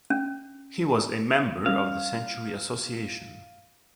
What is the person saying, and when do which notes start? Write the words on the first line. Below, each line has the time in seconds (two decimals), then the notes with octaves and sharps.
He was a member of the Century Association.
0.10 C#4
1.66 G3 C#4 F5